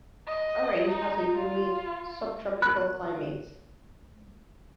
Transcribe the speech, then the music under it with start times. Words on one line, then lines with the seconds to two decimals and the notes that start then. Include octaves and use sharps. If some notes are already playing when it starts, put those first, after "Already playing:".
Orange has a humid subtropical climate.
0.27 D#5
0.90 D#4
1.34 F4
2.62 B5 F#6